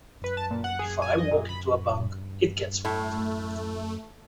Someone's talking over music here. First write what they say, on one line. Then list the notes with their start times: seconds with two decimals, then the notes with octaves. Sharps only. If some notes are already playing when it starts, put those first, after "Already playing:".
If I walk into a bank, it gets robbed.
0.24 B4
0.37 A5
0.51 A#2
0.64 F#5
0.79 G#4
1.02 G#5
1.18 D#5
1.31 A#2
1.49 B5
2.85 A2 A3